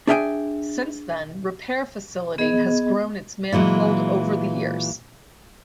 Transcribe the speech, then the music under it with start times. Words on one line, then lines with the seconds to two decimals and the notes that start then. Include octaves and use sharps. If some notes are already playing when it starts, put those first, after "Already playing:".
Since then Repair facility has grown its manifold over the years.
0.07 D4 G#4 E5 F5 G5 G#5
2.38 B3 G#4 D#5
3.52 A#2 E3 F#3 G#3